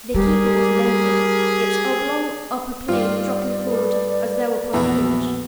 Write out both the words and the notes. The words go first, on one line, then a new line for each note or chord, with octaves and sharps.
The Keeper was bending; its oblong upper plane dropping forward as though upon a hinge.
G3 G4 G#4 A#4
G2 D#3 F4 D5
A4 B4
A#1 E2 B2 E3 F#4